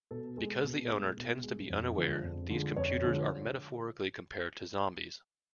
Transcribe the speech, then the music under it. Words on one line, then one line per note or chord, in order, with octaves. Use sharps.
Because the owner tends to be unaware, these computers are metaphorically compared to zombies.
B2 A4
G#3 A4
B2
G#3
B2
G#3
F2
D3 F3 G#3
F2
D3 F3 G#3
F2 C#5
D3 F3 G#3